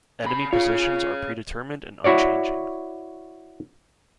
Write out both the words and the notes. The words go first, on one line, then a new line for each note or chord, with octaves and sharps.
Enemy positions are predetermined and unchanging.
C#3 B5
F4 G#4 C#5
E4 F#4 C#5 D5